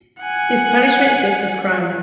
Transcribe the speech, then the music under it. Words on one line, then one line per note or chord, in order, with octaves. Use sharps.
His punishment fits his crimes.
F#5 G#5